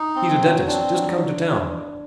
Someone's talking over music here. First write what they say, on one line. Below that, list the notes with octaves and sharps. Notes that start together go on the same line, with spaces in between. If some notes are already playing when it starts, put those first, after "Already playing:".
He's a dentist, just come to town.
Already playing: D#4
C4
F#3
C4 D4
F#3